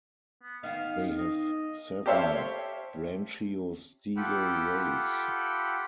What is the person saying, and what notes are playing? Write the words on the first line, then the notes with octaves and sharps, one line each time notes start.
They have seven branchiostegal rays.
B3
D#3 B3 D#4 F5
D#5
G4 A4 C5 C#5 E5 F5
F4 G4 A4 F#5 G5 B5